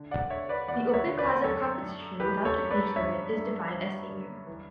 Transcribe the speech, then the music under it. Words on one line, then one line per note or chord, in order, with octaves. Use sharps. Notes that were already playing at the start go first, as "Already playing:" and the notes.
The open class of competition without age limit is defined as "senior".
Already playing: D3
D5 F#5
D3 C#5 E5
B4 D5
E2 D5 F#5
F#5
C#5 E5
D3
B4 D5
F#2 A4 C#5
F#2
E3 G4 B4
A4 C#5
F#2
B4 D5
G2 C#5 E5
G2
G2
D3
E3